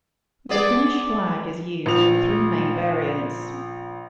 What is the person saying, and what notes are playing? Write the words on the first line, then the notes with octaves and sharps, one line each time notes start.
The Finnish flag is used in three main variants.
B3 G#4 D5
A#1 F3 F7